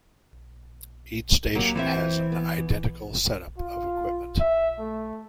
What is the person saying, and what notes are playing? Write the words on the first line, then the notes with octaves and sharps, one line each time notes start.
Each station has an identical setup of equipment.
F#3 A#3 G4
E3 C4 C5 E5
B3
F4
E5
A3